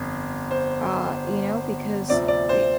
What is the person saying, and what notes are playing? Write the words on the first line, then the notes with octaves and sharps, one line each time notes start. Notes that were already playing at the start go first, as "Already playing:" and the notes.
uh, you know, because eh
Already playing: G1 F2
C5
D2 C3 F3 C4 D5
D5
C5